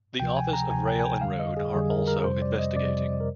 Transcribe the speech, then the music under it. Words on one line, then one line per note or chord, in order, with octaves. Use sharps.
The Office of Rail and Road are also investigating.
D2 C3 F3 G5
G#5
A#5
D2 C3 F3 G#5
G5
G#5
G5
F2 D3 G3 F5
D#5
G#4
F2 D3 G3 G#4
A#4
A#4
F2 C3 G3 C5
D5
D#5
F2 C3 G3 D5
A#4